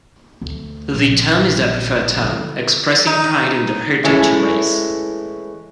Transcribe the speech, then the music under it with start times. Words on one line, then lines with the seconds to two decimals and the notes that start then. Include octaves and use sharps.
The term is their preferred term, expressing pride in their heritage and race.
0.41 D2
0.95 A#1
2.20 D3 E4
3.07 D#4
4.04 E3 G#3 A3 C#4 E4